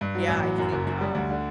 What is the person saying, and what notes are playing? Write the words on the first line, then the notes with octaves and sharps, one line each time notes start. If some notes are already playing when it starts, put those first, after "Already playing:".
Yeah, I think, um,
G2
F#3
A1
F#3
F#2
F#1
F#2
G3
D2
D3